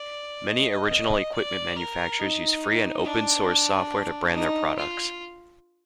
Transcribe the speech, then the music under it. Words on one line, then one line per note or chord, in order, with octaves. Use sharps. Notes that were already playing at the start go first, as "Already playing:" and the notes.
Many original equipment manufacturers use free and open source software to brand their products.
Already playing: D5
D#5
D5
A#4
D#4
D4
D#4
F4